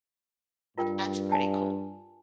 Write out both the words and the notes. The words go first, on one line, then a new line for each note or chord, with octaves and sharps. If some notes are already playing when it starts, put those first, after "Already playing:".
So, that's pretty cool.
G2 F4 A#4 G5
G#5 A5